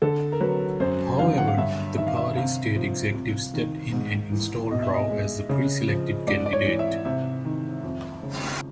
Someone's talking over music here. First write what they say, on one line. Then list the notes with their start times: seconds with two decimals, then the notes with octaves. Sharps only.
However, the party's state executive stepped in and installed Rau as the pre-selected candidate.
0.02 D3 A4
0.32 A#4
0.40 F#3 B4
0.80 F#2 C5
1.19 D3 F5
1.38 F#5
1.48 F5
1.57 G2 E5
1.97 D#3 E5
2.07 F5
2.17 E5
2.36 C3 F5
2.76 F3
3.14 C3
3.54 D#3
3.92 G#2
4.32 E3
4.71 B2 D#5
4.82 E5
4.94 D#5
5.10 G#3
5.49 C#3
5.88 F3
6.27 G#2 D5
6.46 D5
6.53 C#5
6.66 E3
6.79 E5
7.05 C3 E5
7.45 D#3
7.83 F2
8.23 C#3